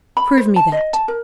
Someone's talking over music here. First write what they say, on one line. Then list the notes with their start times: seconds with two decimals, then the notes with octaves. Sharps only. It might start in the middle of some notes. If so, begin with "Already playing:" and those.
"Prove me that."
0.17 B5
0.37 C5
0.56 A5
0.72 D#5
0.93 A5
1.08 A#4